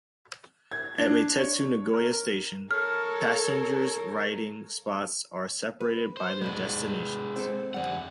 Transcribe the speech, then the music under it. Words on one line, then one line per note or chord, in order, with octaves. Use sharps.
At Meitetsu Nagoya Station, passengers' riding spots are separated by their destinations.
G#6
D4
C#5
A#4
A4 A#4 C#5 F6
B4
C5
G#2 B2 G3 G#3 B4
C4 A4 C5
F2 D3 G3 F#5